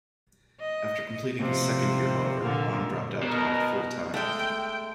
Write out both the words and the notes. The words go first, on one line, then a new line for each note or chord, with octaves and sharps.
After completing his second year, however, Ahn dropped out to act full-time.
D#5
C3 F3
A#2 D3
B2 A#4
G#3 A3 G5